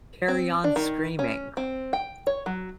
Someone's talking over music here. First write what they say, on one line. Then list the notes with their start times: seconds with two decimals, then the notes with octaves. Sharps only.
Carry On Screaming!
0.28 C4
0.64 D4
0.76 D#3
1.19 C#4
1.57 C4
1.93 G5
2.27 C#5
2.46 F#3